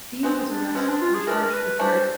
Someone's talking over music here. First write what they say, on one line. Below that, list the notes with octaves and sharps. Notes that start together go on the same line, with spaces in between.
Dean was arrested and charged with murder.
B2 G#3 C4
D4
B2 G#3 C4 C#4
D4
F4
G#4
E3 A3 D4 A#4
A#4
B4
E3 A3 D4 C5